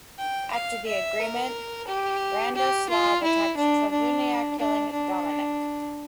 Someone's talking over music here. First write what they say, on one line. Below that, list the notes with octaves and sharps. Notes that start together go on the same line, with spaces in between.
After the agreement, Radoslav attacked Travunia, killing Domanek.
G5
F5
E5
A#4
G4
G4
F4
E4
D4
D4
D4
D4